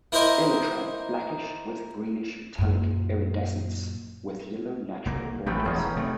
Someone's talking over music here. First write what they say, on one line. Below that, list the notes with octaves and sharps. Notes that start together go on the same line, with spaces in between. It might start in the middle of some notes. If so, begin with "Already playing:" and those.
Elytra blackish with greenish metallic iridescence with yellow lateral borders.
A#3 E4 A#4 C5 D#5
F#2 A#2
C2 A#3
A1 A3 B3 G5 B5
E1 A1 C#4 D#4
C3 A3